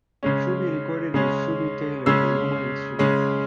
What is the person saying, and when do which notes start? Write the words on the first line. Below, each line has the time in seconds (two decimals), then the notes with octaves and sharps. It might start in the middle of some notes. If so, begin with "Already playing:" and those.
Shooby recorded as Shooby Taylor, the human instrument.
0.23 C#3 G#3 C#4
1.14 C#3 G#3 C#4
2.06 C#3 G#3 C#4 E6
2.99 C#3 G#3 C#4